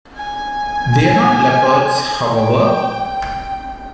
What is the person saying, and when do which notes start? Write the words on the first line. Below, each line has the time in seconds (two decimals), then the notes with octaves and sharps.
They are not leopards, however.
0.16 G#5
2.35 G5
3.08 G5